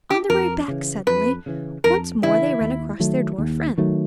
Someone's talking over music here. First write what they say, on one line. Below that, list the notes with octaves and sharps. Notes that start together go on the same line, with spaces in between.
On their way back, suddenly, once more they ran across their dwarf friend.
G4
F2 A#4
C#3 E3
F2 B4
C#3 E3
F2 A#4
C#3 E3 E4
D#2
D#3 F#3 A3
D#2
D#3 F#3 A3